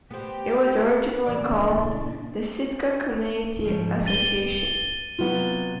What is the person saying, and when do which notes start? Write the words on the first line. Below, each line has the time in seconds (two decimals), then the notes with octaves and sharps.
It was originally called the Sitka Community Association.
0.11 B3 C4 G4
1.26 A#2 C#3 E3 D4 D5
3.64 G#2 C#3 F3
4.06 G2 A6 D#7 G7
5.19 C3 F#3 B3 F4 F#4